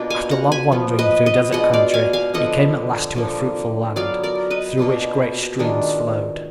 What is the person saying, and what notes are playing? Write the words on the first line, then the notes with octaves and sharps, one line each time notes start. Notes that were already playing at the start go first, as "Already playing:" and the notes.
After long wandering through desert country he came at last to a fruitful land, through which great streams flowed.
Already playing: B2 A#3 D4 F4
F5 G#5
F#5 A#5
G#5 B5
F3 B3 F4
B4 D#5
B4 D#5
B2 G#3 D4 F4 D#5 F#5
D5 F5
F5 G#5
F5 G#5
D3 F3 B3 D#5 F#5
D3 F3 A#3
F#3 B3 F4 D5 F5
A#4 D5
B4 D#5
B2 A#3 D4 F4
D#3 G#3 D4 F4